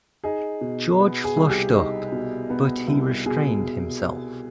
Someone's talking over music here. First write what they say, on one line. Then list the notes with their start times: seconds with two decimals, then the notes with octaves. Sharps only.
George flushed up, but he restrained himself.
0.24 D#4 G#4
0.61 B2
1.00 B3
1.24 G#4
1.37 C2
1.49 G4
1.75 D#4
2.12 B2
2.50 B3
2.88 C2
3.26 B2 G#4